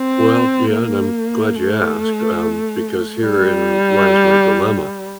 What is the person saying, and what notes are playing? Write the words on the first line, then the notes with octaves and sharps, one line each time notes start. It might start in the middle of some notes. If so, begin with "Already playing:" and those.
Well, yeah, and I'm glad you asked, um, because herein lies my dilemma,
Already playing: C4
A#3
A3
G3